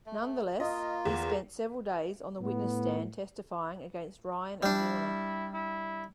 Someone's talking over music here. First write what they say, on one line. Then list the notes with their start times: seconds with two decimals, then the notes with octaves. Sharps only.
Nonetheless, he spent several days on the witness stand testifying against Ryan and Warner.
0.06 A3
0.60 A#3 F4 D#5
1.05 E2
2.40 A2 B3
4.63 G3 D4 E4
5.54 E4